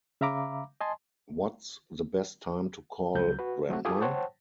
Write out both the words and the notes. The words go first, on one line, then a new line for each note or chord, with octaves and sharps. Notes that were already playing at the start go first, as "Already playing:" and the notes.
What's the best time to call grandma?
C#3 E5 F5 A#5 B5 D6
D#5 G#5 A5 C6
C#2 F#3 G6
F#4 B4
F#3 A3 C4 F#4
F4 G4 A4 G#5 D6 D#6
C5 C#5 F#5 G5 A5